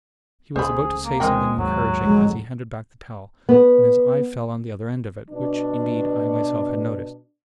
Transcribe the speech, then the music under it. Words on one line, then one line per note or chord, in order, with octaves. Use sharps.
He was about to say something encouraging, as he handed back the towel, when his eye fell on the other end of it, which, indeed, I myself had noticed.
C#2 A3 G#4 C5 B5
A#3
D2 E3 G#3 C4 A#4 G5
D#2 G#2 F#3
C2 F2 D3 G#3
B3
B2 D4